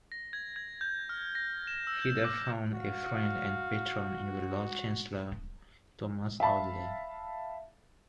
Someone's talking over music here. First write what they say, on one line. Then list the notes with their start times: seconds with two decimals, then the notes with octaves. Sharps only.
He there found a friend and patron in the lord-chancellor Thomas Audley.
0.12 A#6
0.33 G#6
0.56 G#6
0.81 G6
1.09 F6
1.35 A#6
1.67 E7
1.87 E6
2.02 G6
2.25 D6
2.74 F#4 F5
6.40 E5 F5 A5 B5